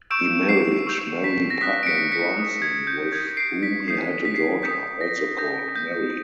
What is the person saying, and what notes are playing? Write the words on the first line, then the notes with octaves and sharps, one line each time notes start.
He married Mary Putnam Bronson, with whom he had a daughter, also called Mary.
C#6 E6 G6 D7 E7
C7
C#6 E6 G6
B6
A#6
D#6 F#6 B6
D7
B6 C#7
B6 C#7
D#6 F#6
G#6
G6
D#6 G6 G#6
C7 D7
B6
D#6 G6 C7
B6
C7
B6
D#6 G6 B6
A#6
D#6 G6 A#6
G6